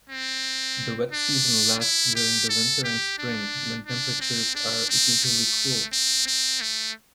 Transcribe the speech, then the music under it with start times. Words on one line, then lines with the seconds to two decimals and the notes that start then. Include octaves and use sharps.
The wet season lasts during the winter and spring, when temperatures are usually cool.
0.10 C4
1.13 D4
1.81 E4
2.15 G4
2.49 A4
2.84 G4
3.18 D4
3.87 D4
4.21 C4
4.55 D4
4.90 C4
5.24 A3
5.92 C4
6.27 C4
6.61 A3